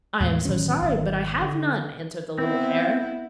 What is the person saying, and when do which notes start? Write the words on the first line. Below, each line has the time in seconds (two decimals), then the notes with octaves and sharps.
'I am so sorry, but I have none,' answered the little hare.
0.20 E2 A2 G#3
0.45 A1 D#3 F#3 C#4
0.82 G#1
1.42 D3
2.38 B3 C4 E4